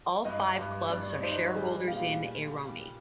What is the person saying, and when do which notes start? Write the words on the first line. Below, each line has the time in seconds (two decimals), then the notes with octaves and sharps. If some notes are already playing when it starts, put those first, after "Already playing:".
All five clubs are shareholders in Aironi.
0.25 G2 D#5
0.58 G2
0.90 G2 D5
1.22 D#4 C5
1.55 G3 G#4
1.88 A#2 F5